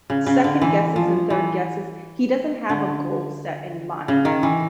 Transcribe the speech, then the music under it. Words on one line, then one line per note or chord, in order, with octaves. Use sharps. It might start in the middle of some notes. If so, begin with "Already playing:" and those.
second-guesses and third-guesses. He doesn't have a goal set in mind,
C#3
C#3
D3
E3
F3
E3
D3
C#3
D#3
E3